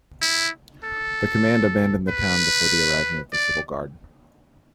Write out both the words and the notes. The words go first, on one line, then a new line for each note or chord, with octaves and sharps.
The command abandoned the town before the arriving of the Civil Guard.
E4
A4
B4
D5